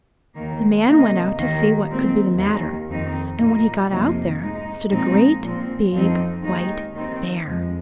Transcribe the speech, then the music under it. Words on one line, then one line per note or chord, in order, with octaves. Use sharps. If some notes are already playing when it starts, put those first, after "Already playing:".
The man went out to see what could be the matter, and when he got out there stood a great big white bear.
D#2 D#3 A#3
C3 D#3 A#3 D#4
D#2 D#3 A#3
A#2 G#3 C4
D#2 D#3 A#3
F2 D#3 C4 D#4
A#2 A#3 D#4
F2 C3 F3 A#3 D#4
G#2 G#3 D#4
A#2 F3 G#3 C4 D#4
A#2 F3 C4
F2 F3 C4 D#4
D#2 D#3 G#3 D#4
D#2 D#3 C4 D#4
F2 F3 G#3